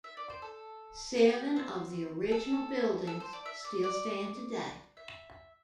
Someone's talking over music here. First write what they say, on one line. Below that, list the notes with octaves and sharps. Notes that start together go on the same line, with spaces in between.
Seven of the original buildings still stand today.
E5
D5
C5
A4
G4
C4
A4
A4
C5
D5
E5
D5
D5
E5